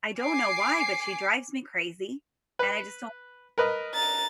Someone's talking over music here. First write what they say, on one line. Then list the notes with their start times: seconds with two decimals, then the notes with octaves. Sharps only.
I don't know why, but she drives me crazy, and I just don't
0.19 G#5 D6 C7
2.59 B4
3.58 A#4 B4 D#5
3.95 A#5 A6